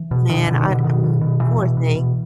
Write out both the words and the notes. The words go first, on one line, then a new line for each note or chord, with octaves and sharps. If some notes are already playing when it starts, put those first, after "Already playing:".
man, I, m poor thing,
Already playing: E3
B2
B2 D#3
B2 D3
D#3
B2
D3
B2 D#3
B2
B2
B2 E3
B2
B2
B2